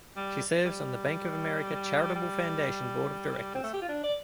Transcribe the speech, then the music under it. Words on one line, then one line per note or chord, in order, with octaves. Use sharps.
She serves on the Bank of America Charitable Foundation Board of Directors.
G3
G3
G3
C4
A3
G4
F4
D4
D5